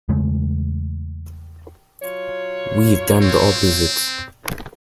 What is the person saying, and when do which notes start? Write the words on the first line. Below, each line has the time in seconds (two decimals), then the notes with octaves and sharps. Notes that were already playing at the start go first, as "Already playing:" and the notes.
We've done the opposite.
0.09 E2 C#3 G#3 A3
2.03 F#3 F4 C#5
3.23 C4